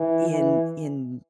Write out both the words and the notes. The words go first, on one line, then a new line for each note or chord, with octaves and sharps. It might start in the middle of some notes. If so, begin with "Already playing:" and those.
in in
Already playing: E3
E3